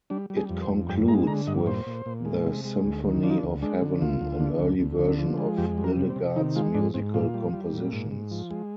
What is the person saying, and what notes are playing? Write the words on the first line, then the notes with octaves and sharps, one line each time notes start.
It concludes with the Symphony of Heaven, an early version of Hildegard's musical compositions.
G3 D4
G3
G#4
F2
C5
F2
G2 G5
G#3 A#5
D3 A#5
G2 D#5
A#2 C5
A#2
A#2
G#3
C3
G#3
D2
D#3
F3 D4
D#4
D4
D2
G#3 D4
D3
D2 F4
D2
D3
D2
D2
D3
F3
G#3
F2 G4
G3
A#4
C3
C4
C3
D#3 D#4
G#3 F4
G#2 D4
G#2 C4
A#2 F4
G3
G3
A#2
G#2
G#2
F3
G#3